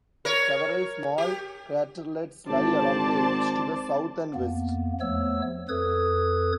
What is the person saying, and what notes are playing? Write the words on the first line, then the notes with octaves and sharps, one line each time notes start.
Several small craterlets lie along the edge to the south and west.
A#4 C#5
G4
G#1 C5 D5 A5
F2 A#3 B3
E2 F3 A3 B3 C#5 E6
F2 A4 B4 D#6 G#6